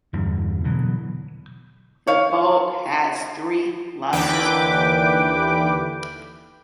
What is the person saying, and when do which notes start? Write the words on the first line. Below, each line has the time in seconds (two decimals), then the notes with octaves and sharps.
The bolt has three lugs.
0.13 E2 G2 D3
0.64 B2 D3 E3 F#3
2.07 C#5 F5
4.13 D#2 D3 E3 B4 G5 D6